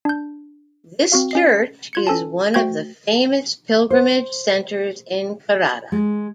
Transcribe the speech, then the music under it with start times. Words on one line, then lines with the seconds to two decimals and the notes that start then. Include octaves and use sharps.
This church is one of the famous pilgrimage centers in Kerala.
0.05 D4 G6
1.12 C4 F#4 F5
1.31 C#4 D#5 C7
1.93 F4 G#6 C#7
2.07 C#4 A4 G#5 A5
2.54 A3 F#4 C5 G5 G6 G#6
3.90 C5
5.92 G#3